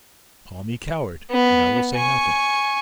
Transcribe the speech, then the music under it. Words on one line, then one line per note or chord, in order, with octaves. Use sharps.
Call me coward, and I will say nothing.
B3
G#5 C#6